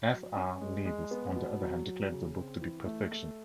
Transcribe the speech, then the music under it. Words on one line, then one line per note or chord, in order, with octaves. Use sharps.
F. R. Leavis, on the other hand, declared the book to be "perfection".
F#3
C#4
G#3
G#3
B3
B2
F#3
F#3
C#3
C4
E3
A3
A3